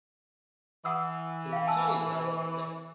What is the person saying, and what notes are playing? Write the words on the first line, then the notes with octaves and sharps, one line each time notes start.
His studies are of Death.
E3 F#5 D#6 E6
F5 G5
G#5 A5 E6